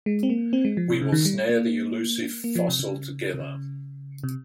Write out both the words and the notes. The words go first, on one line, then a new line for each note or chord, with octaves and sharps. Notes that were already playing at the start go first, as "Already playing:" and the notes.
We will snare the elusive fossil together.
G#3
C4
A#3
C4
G#3
F3
C3
C#3
D#3
G3
A#3
A#3
F3
C3
C#3
C3
C#3
C3